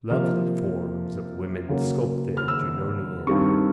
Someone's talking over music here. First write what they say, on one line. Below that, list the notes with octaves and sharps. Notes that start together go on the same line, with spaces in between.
Lovely forms of women sculped Junonian.
C3 F3 A#3 F6
C#3 F#3 A#3
F6
E6
G2 D#3 G3 C4 C#6